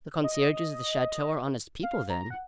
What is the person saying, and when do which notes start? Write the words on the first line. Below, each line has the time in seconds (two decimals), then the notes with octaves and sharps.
"The concierges of the chateau are honest people, then?"
0.23 D#5
1.83 F5
2.10 A#5
2.30 F#5